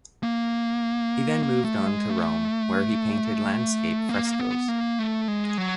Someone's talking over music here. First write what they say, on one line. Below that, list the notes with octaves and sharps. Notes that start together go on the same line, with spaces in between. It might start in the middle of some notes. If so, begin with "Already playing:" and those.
He then moved on to Rome where he painted landscape frescos.
A#3
A#3
A3
G#3
A3
A#3
B3
A#3
A3
G#3
F#3